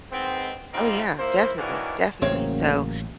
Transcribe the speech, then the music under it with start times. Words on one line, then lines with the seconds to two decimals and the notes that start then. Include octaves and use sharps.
Oh, yeah, definitely, definitely, so,
0.12 D#3 G#3 B3 C4
0.73 G#2 D3 G3 C4 D#4 F4
1.19 A#3 E4 C5
1.58 D#3 E3 A#3 C#4 D4 F#4
2.22 A1 C#3 F#3 A#3 C4 C#5 F5